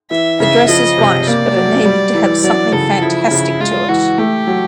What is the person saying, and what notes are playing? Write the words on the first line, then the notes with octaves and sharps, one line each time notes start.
The dress is white but it needed to have something fantastic to it.
E3 E5
C#3 E5
F3 D#5
C3
A#3 D5
F#3
G3
E3
F#3 D5
C#3 A4
F3 E4
C#3
G#3 F4
E3 F#4
A3 G4
F#3